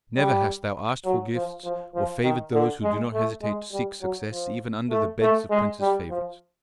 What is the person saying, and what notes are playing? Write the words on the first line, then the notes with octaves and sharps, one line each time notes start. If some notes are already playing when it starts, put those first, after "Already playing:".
Never hast thou asked for gifts, or favored those who do not hesitate to seek success even under the beds of princes' favorites.
G3
F#3
F3
F3
F3
D#3
D3
G#3
A3
G#3
G3
F#3
F3
A3
A3
G#3
G3
F3